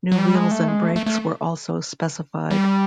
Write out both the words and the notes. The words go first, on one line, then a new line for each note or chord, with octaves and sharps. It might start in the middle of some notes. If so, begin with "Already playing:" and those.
New wheels and brakes were also specified.
F#3
G3
G#3
A3
G#3
A3
A3
A3
G3